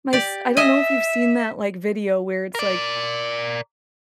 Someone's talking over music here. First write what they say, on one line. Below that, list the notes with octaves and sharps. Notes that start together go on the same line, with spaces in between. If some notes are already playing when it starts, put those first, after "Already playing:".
my s I don't know if you've seen that, like, video where it's like,
G4 D5
D#5 E5 G#5
A#4 D5